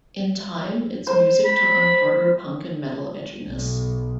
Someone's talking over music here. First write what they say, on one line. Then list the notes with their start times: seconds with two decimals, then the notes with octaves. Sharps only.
In time, its music took on harder punk and metal edginess.
1.07 C5
1.45 B5
3.47 B1